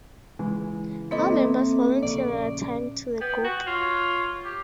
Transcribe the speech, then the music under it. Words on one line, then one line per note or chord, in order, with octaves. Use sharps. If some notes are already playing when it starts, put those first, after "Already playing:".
All members volunteer their time to the group.
C#2 E3 G#3
A#3 C4 E4 A4 D#5 D6
A#1 C#3 D5
B3 G5
F#4 F#5
F4 C#5
G4